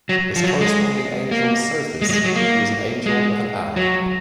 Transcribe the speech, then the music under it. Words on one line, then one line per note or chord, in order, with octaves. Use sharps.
His corresponding angel is Sothis, who is an angel of an hour.
F#3
F3
F#3
G#3
A#3
G#3
F#3
G#3
F#3
A#3
G#3
F#3